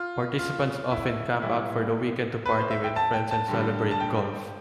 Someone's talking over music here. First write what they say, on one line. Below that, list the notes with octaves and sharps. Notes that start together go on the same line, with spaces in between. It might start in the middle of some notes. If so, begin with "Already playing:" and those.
Participants often camp out for the weekend to party with friends and celebrate golf.
Already playing: F4
F4
E4
A2 E3 G3 E4
B4
C5
E5
G5
A5
G5
A5
G2 D3 G3
A5
G5